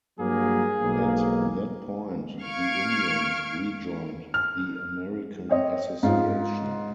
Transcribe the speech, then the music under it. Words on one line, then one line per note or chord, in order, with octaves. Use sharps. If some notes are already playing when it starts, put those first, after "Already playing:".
At that point the Indians rejoined the American Association.
G2 F#3 A#3 G#4
B1 G#2 A#3
F5 C#6 F6 G#6 C7 D7
F6
C4 C#5 D#5
G#2 F4